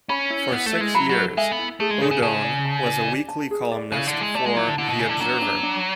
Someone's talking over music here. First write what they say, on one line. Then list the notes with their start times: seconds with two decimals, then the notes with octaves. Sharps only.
For six years Odone was a weekly columnist for "The Observer".
0.09 C#4 B5
0.30 E4
0.52 B3 E4
0.66 A3
0.73 E4
0.81 G#3
0.95 F#3 B5
1.09 F#3
1.15 A4
1.37 G#3 E5
1.52 B3
1.59 E4
1.80 A3 G#4
1.91 G#3
2.01 C#3 G#4
2.11 C#3
2.22 C#3 A5
2.44 D5
2.65 A5
2.86 D5
3.07 D5
3.28 A5
3.51 G#4
3.72 D5
3.93 C#3 E4
4.07 D3
4.14 E4
4.21 G#3
4.35 A3 D5
4.46 G#3
4.56 F#3 E4
4.68 D3
4.78 D3 E4
4.88 B2
4.99 C#3 E4
5.09 D3
5.20 F#3 D4
5.42 D4
5.63 D4